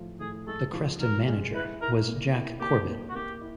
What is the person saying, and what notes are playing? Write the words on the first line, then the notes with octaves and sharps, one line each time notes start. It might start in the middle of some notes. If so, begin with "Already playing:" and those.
The Creston manager was Jack Corbett.
Already playing: A2 F3
A2 G#4
G#3 A4
F3
F3 A#4
G#3
E4 B4
E4 A#4
A#3
E4
A#3 G4
A#3
F#4
A#3 G4
E4